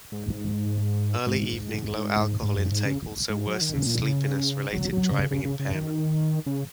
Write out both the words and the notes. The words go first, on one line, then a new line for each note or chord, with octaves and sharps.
Early evening low alcohol intake also worsens sleepiness-related driving impairment.
G#2
G#2
G#2
G#2
F#2
G#2
C#3
G#2
F#3
D#3
C#3
A#2
C#3
F#3
F#3
C#3
C#3
C#3
C#3
D#3
C#3